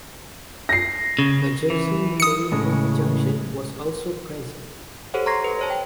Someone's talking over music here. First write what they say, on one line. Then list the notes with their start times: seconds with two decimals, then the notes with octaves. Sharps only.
A Jersey Marine North Junction was also present.
0.69 A#6 C7
1.19 C#3
1.70 E3
2.20 D#6 C#7
2.52 A2 C#3 G#3
5.14 G4 A4 C5 C#5 F#5
5.26 A#5 C6 C#6 G#6 A#6 C7
5.44 B4
5.59 C5 C#5 A5
5.70 G5